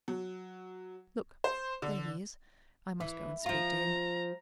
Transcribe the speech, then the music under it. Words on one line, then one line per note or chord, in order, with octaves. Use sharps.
Look--there he is--I must go and speak to him.
F#3
C5
D3
E3
F3 F4 A#5